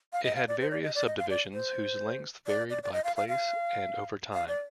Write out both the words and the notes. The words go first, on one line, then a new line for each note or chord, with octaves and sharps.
It had various subdivisions whose lengths varied by place and over time.
F5
D#5
F5
D5
C5
D5
D#5
D5
D#5
F5
D5
C5
D5
D5
D5
D#5
F5
F5
F5
F5
D5